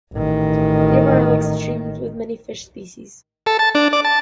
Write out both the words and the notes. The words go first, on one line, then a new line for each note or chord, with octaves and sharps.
Nearby are lakes and streams with many fish species.
A1 D#3
A4
A5
D4
D5
A5